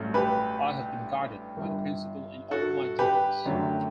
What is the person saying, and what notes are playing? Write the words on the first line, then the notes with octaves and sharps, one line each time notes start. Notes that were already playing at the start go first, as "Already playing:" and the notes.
I have been guided by the principle in all my dealings.
Already playing: A1 G2 F#3 A3
G4 B4
G1 G2 E3
F#4 A4
G4 B4
F#2 D3 F#3 A3